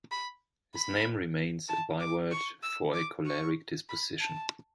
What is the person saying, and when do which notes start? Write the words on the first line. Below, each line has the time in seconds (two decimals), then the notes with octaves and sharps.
His name remains a byword for a choleric disposition.
0.12 B5
0.75 B5
1.69 A5
2.00 D6
2.31 C#6
2.63 E6
2.94 D6
3.26 C#6
3.89 B5
4.21 A5